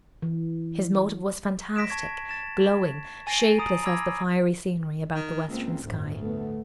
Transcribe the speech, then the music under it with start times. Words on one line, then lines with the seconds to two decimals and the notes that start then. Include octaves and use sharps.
His motive was fantastic, glowing, shapeless as the fiery scenery about the western sky.
0.22 E3
1.76 A#6 B6 D7 E7
1.90 A5 C#6 G#6
2.29 A6 E7
3.27 G#5 A6 A#6 C7 D7 D#7
3.58 A#5 D#6 A6 D7 F#7
3.83 A#5 B5 D6 E6 G#6 A#6
5.15 D#3
5.48 C#2 A#3 C4
5.83 G1 D2 A2
6.18 A3 B3